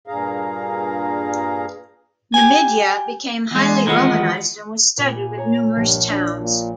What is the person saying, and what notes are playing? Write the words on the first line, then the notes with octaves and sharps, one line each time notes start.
Numidia became highly Romanized and was studded with numerous towns.
G2 A#2 G#4 F5 A#5
G4 G#5
E2 G#3
E2 D#3 F3 G#3 B3
A#2 B3 G#5
C#5 A#5
A#1 G2
D4
A#2